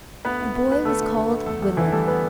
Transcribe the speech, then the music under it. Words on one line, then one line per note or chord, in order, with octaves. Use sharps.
The boy was called Willem.
D2 B3 B4
D2
D2
D2 B4
D3 A3 A4
D2
D3
D2
E2 A3 A4
E2
D3 E3 E4
G3 A3 A4
B3 B4